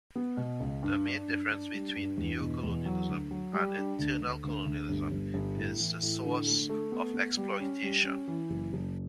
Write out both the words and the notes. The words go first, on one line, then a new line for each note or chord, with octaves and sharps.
The main difference between neocolonialism and internal colonialism is the source of exploitation.
B3
B2
C#2
G2
D4
G2
D4
G3
G2
E2
B2
E2
F#3
D2
F#3
G3
D4
D2
D2
D2
D2
G1
G1
G1
A2
E3
A2
D3
A3
A3
B3
B3
G3
C#4
G3
C#4
E3
F#1
F#1